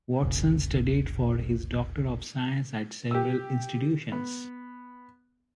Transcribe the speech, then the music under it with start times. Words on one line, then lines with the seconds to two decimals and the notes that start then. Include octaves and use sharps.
Watson studied for his Doctor of Science at several institutions.
0.23 E1 A#1 C#3
3.11 G4 E6
4.12 B3